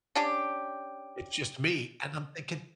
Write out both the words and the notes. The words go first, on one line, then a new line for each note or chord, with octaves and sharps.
It's just me," and I'm thinking,
C#4 D4 G4